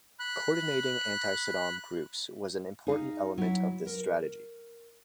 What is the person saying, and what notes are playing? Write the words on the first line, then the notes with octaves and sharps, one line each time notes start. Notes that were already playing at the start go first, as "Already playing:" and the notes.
Coordinating anti-Saddam groups was an important element of this strategy.
B5 F#6
D#4 G#4 F5
F#3 E4
A#4